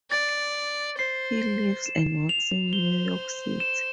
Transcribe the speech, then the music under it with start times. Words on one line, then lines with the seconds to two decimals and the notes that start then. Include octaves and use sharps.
He lives and works in New York City.
0.11 D5 A6
0.98 C5 C7
1.86 E7
2.29 F7
2.73 C5 G7
3.60 E7